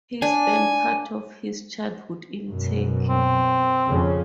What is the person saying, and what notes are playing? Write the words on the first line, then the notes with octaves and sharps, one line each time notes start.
He spent part of his childhood in Turkey.
D4 G#5
F#2 B2
C4
F2 C#3 C#4